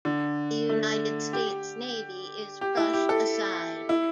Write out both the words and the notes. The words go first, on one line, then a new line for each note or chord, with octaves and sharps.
The United States Navy is brushed aside.
D3
A3
G4
G4
E4
G4
A4
E4